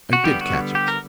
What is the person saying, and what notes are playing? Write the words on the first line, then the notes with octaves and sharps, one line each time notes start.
I did catch it.
F#4
D3 G3 B3 G4
F#4
G4
A#4